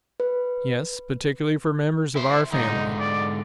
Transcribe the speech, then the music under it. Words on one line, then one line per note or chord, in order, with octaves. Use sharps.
"Yes. Particularly for members of our family."
B4
E4 C5
G#2 D3 D#4
D5